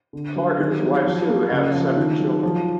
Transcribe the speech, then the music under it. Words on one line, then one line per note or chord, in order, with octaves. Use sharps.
Clark and his wife, Sue, have seven children.
D3
F#3
D#3
F#3
F3
A#3
C#3
F3
D#3
F#3
F3